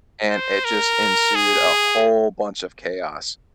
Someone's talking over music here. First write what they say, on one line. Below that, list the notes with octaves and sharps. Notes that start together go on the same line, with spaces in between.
and it just ensued a whole bunch of chaos.
C5
A#4
G#4